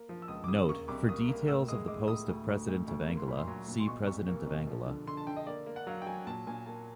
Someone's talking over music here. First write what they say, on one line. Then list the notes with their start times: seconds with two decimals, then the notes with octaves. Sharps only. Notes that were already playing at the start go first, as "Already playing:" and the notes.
"Note:" For details of the post of President of Angola, see President of Angola.
Already playing: A#3
0.09 F3
0.22 E6
0.28 C#2 D#6
0.44 D6
0.48 C#3 D#6
0.69 A#3 C#6
0.88 C2 D6
1.09 A#3 D#6
1.28 A#3
1.48 A2 E6
1.68 G#3 D#6
1.88 G#3 D6
2.08 A2 D#6
2.28 D2
2.48 D2
2.68 D2
2.88 D2
3.08 A#3
3.17 C6
3.27 A#2 B5
3.38 C6
3.48 F#3
3.68 A#2
3.80 C6
3.87 B2 C#6
4.07 C2 C#6
4.27 A#3
4.47 B2
4.67 F3
4.87 D3
5.07 D3 C6
5.17 A5
5.27 D3 G5
5.37 D#5
5.47 A#3 D5
5.66 A#3
5.76 F#5
5.87 F#3 F5
6.02 G5
6.06 F#3 G#5
6.27 A#2 A5
6.47 A#2 G#5
6.66 A#3 A5